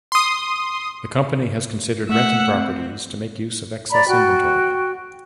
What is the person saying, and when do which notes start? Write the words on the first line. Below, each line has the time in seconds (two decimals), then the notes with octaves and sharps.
The company has considered renting properties to make use of excess inventory.
0.12 C6 D#6
2.09 A3 E5 F#5
2.52 C4
3.91 D5 A#5 B5
4.08 F#4 G5